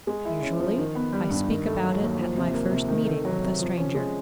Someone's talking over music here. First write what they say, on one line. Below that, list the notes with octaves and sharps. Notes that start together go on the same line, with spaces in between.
Usually I speak about it at my first meeting with a stranger.
G#3
E4
C#4
F3
D#3
B3
G3
G2
D#3
A3
F#3
D#2
F3
C3
A#3
C3
D#3
A3
F#3
C3
F3
C#4
G#3